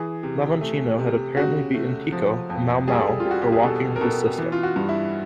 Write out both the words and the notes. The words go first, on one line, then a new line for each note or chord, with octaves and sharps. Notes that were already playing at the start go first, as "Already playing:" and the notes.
Lavonchino had apparently beaten Tico, a Mau Mau, for walking with his sister.
Already playing: E3 G#4
C3
A3
C3
C#3 F#4
A3
F3
F2
G3 G#4
A4
G#4
F4
G3
F#4
G4
G#4
B2 A4
A#4
B2 A4
E3
F4
F#4
G2
E4